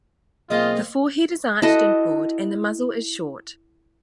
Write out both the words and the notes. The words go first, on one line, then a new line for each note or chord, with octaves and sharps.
The forehead is arched and broad, and the muzzle is short.
B1 A#3 C4 F4 G#4 D#5
E4 F#4 A4 D#5